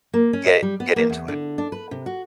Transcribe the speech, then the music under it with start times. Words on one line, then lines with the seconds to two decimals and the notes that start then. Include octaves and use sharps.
get get into it.
0.14 A#3
0.33 C#4
0.47 D#5
0.62 G3
0.80 B3
0.96 A#3
1.10 E2
1.28 D3
1.58 D4
1.72 B4
1.91 C3
2.06 F#4